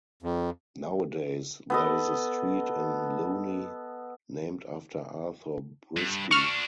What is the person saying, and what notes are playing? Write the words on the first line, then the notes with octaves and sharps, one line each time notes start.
Nowadays, there is a street in Louny named after Arthur Breisky.
F2
B3 A4 D#5
G2
D4 F#4 C#6 F6